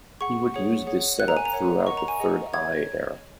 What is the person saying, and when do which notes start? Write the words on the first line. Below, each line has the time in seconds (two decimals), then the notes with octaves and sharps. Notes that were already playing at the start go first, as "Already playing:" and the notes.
He would use this set up throughout the "Third Eye" era.
0.21 G#4 F#5 C#6
0.54 G#4 C#5 F#5
0.87 G#4 C#5 F#5
1.20 A#4 F#5 F#6
1.28 A#5
1.37 G#5
1.45 A#5
1.53 A#4 C#5 F#5
1.86 A#4 D#5 F#5 C#6
1.97 A#5
2.08 G#5
2.20 G#4 D#5 F#5
2.54 G#4 C#5 G#6